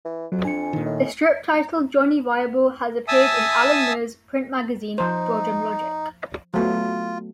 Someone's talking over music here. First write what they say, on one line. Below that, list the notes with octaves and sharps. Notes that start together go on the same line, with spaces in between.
A strip titled "Johnny Viable" has appeared in Alan Moore's print magazine "Dodgem Logic".
E3
F2 F#3
D4 G#5 C#7
A#2 D#3
A2 D#5
E5 G#5 A5 D#6 E6
F3 D#4 C5
F#3 A3 B3 F4